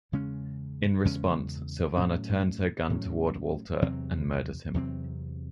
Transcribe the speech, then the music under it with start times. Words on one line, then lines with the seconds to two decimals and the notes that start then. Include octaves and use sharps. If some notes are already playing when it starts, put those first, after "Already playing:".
In response, Silvana turns her gun toward Walter and murders him.
0.12 E2 C#3 G#3 C#4
1.05 E2 C#3 G#3 C#4
1.98 A2 F#3 C#4
2.90 A2 F#3 C#4
3.82 E2 C3 F#3 C4
4.74 E2 C3 F#3 C4